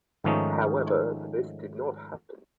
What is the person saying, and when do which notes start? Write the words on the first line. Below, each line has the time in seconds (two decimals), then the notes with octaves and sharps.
However, this did not happen.
0.24 G#2 D#3 F3 A3 C#4 D#4